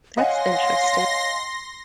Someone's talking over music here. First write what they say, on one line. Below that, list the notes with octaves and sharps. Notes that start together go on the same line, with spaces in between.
That's interesting.
C#5 D#5 F5 F#5 G#5 C6 A#6